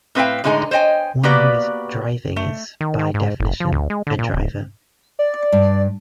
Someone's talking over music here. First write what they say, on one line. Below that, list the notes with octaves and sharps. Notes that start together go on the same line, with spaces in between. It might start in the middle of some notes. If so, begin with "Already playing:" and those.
One who is "driving" is, by definition, a "driver".
A2 C4 B4 E5 F5 G5
A2 D3 G#3 D#4 G#5
C5 C#5 D#5 G5 G#5
A#3 B3 F#4 G4 B4 D5
A3
D#3
D#3
G#2
F#1
F3
D2
G#3
D3
A#2
D1
D5
G2